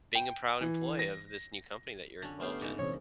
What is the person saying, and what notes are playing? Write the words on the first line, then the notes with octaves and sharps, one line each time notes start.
being a proud employee of this new company that you're involved in.
G5
E3
A#6
D3 C#4
A3 B3 G4 C#5 F6 C7
G#2 C#3 G#3 D4 D6
A#1 C3 E3 C4 C#5